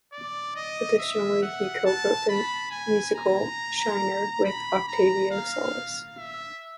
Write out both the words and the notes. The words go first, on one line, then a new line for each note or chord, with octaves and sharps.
Additionally, he co-wrote the musical "Shiner" with Octavio Solis.
D5
D#5
E5
F#5
A5
B5
G#5
A#5
B5
A#5
F5
E5